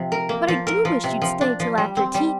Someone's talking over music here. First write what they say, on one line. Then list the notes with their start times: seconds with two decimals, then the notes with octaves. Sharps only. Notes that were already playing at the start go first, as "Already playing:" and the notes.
But I do wish you'd stay till after tea.
Already playing: C3 F3
0.12 A#4
0.29 A#3
0.48 F3
0.67 A#4
0.85 F3
1.04 C3
1.22 F3
1.41 D4
1.60 F3
1.78 G3
1.97 C4
2.14 G3